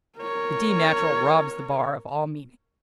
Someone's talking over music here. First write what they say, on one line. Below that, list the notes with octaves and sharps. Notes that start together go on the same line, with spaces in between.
The D natural robs the bar of all meaning.
A#4 C#5